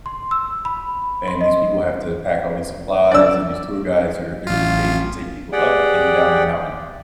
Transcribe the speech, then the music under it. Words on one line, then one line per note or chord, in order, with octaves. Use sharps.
and these people have to pack all these supplies, and these tour guides are they're just paid to take people up and down the mountain,
C6
E6
B5
C6
D#5
D5 E6
A1 F4
G4 G#4 D5 F#5 G5